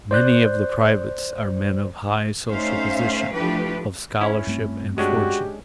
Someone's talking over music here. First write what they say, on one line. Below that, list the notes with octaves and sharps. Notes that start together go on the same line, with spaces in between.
Many of the privates are men of high social position, of scholarship and fortune.
C5 D5 F#6 G6
A3 C#4 D#4 C5 E5 F5
E3 F3 A3 D4 G4 B4
C#4 E4
G2 A3 C4
G#3 C#4 D4 F#4 G4